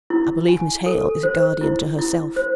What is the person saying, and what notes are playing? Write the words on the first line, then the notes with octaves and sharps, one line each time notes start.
I believe Miss Hale is a guardian to herself.'
E4
G#5
A4
C5
E4
E4
C5